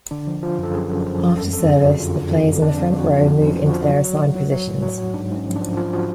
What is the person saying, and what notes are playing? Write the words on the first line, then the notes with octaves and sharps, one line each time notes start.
After service, the players in the front row move into their assigned positions.
D3 D4
F3
F3 F4
F#2
A4
F#2 G#4
F#2
F3
F#2
F2 A4
F2 A4
F2 G#4
F3 F#4
D3 F4
D3
F2 D4
D3
F2 D4
F2
F2 F#4
F3 F4
F3 D4
F3
C#4
F3
F#4
F3
F#3
F#3
F#3
F#3
F#3
A2
F#3
F#3
G#2 D4
G#2
C#4
F3
D4
F3
F3 F4
F3 F#4